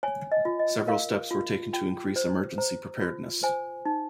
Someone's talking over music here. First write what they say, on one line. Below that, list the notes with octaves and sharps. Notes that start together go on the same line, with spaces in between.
Several steps were taken to increase emergency preparedness.
C#5 G#5
D#5
F4
D#5
A#4 F5
F4
F4 G5
C5
C5 A#5
F4
C5 G#5
D#4